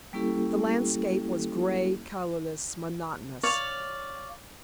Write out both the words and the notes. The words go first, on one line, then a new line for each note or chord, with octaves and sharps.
The landscape was grey, colorless, monotonous.
G3 A#3 C#4 E4 G4 A4
C#5 D5 F5